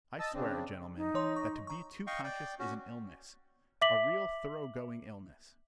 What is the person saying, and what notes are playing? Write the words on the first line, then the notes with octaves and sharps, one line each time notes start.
I swear, gentlemen, that to be too conscious is an illness--a real thorough-going illness.
D#5 A5 E6
C#3 C4 D4
D#4
E3 C#5 C6
C#6
A#5 C#6
D#5 F5 G5 C#6
D5 G5
C#4 F#4
E5 D6 B6 F#7